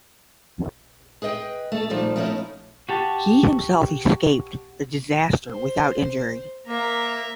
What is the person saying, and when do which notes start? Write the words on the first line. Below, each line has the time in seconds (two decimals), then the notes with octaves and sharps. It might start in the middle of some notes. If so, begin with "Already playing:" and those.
He himself escaped the disaster without injury.
1.22 G#4 B4 D#5 E5 G5
1.72 A3 A4
1.90 A#2 D#3 F3 G3 A3
2.16 F3 A3 B3 C#4 D#4 E4
2.89 F#4 G4 A5
5.49 C5
6.67 A#3 E5 A#5